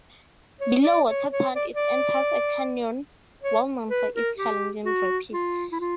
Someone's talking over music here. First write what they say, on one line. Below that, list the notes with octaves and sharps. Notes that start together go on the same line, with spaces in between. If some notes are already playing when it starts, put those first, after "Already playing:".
Below Watertown it enters a canyon, well known for its challenging rapids.
C#5
D5
C#5
C#5
D5
D5
C#5
B4
A#4
G4
F#4
F4
E4
F4